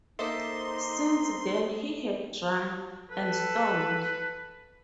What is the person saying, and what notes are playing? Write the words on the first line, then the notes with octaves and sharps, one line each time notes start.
Since then he had drunk and stormed.
A#3 D#4 A4 C5 D#5 E5 C6 D6
A4 B4